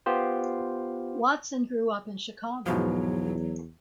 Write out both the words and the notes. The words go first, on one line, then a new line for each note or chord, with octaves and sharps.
Watson grew up in Chicago.
B3 F4 G4 C5
E2 G#2 B2 F3 F#3